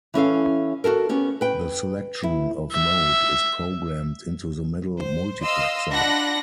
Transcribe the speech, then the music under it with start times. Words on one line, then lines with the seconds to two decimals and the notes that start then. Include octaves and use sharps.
The selection of mode is programmed into the middle multiplexer.
0.14 E3 C#4 A4 F5
0.84 F#4 G4 A4 A#4
1.09 B3 C#4 G4
1.41 B4 G5
2.23 E4
2.72 E5
5.00 C5
5.43 D#5 F5 C6 E6
5.92 D4 F4 F#5 B5 A#6